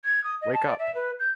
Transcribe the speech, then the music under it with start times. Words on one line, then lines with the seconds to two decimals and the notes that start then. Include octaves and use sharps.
Wake up!
0.04 G#6
0.24 D#6
0.41 D#5
0.54 A5
0.66 D5
0.79 E5
0.95 B4
1.19 G6